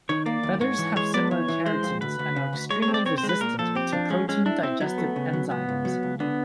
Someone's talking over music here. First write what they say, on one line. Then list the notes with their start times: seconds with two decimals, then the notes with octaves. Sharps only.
Feathers have similar keratins and are extremely resistant to protein digestive enzymes.
0.09 D#3 C#5
0.26 A#3 D5
0.43 D#2
0.61 G#2 C#5
0.78 E3
0.96 G#3 C#5
1.14 B3 D5
1.31 E3 C#5
1.48 E3
1.66 G#3 C5
1.83 F2
2.01 D2 B4
2.19 D2
2.36 C#3
2.53 D2
2.71 G#3 C#5
2.82 C#5
2.88 C4
2.94 D5
3.06 C4 C#5
3.18 C5
3.23 G#3
3.29 B4
3.41 A#2 A#4
3.59 F3 A4
3.75 C4 G4
3.93 F3 D4
4.10 G#3 C#4
4.29 G#3 C#4
4.46 D4 E4
4.63 C4 E4
4.81 F#3 B3
4.98 A3
5.16 C#3
5.33 F#3
5.51 C#2 B3
5.69 C#2
5.85 F#3
6.03 C#2
6.20 D3 B3